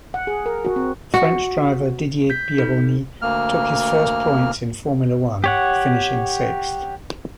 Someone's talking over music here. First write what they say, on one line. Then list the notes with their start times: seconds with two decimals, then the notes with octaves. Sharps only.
French driver Didier Pironi took his first points in Formula One, finishing sixth.
0.14 F#5
0.27 G#4
0.46 A#4
0.65 F#4
0.76 C4
1.14 F#4
2.30 G6 B6
2.58 D#4 A4
3.22 D2 A#3 F6
5.44 G4 C#5 F#5